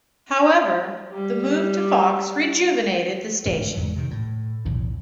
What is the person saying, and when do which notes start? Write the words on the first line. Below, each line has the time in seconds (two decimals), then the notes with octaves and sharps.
However, the move to Fox rejuvenated the station.
1.13 G3 G4
3.46 A1 G#2 C#4
3.75 E2 G#2 F#3
3.96 C3 D#3
4.11 A2
4.65 B1 E2 A2